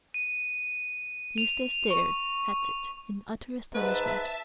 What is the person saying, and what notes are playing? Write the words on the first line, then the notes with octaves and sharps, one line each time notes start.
Eustace stared at it in utter astonishment.
D#7
F7
C#6
G#2 B4 E5 A5 B6